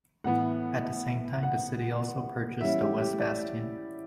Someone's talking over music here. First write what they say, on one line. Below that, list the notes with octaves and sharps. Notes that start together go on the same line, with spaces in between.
At the same time the city also purchased the West Bastion.
A2 E3 B3 F#5
F#5
E3 G3 C#4 E4 E5
G4
G4
D5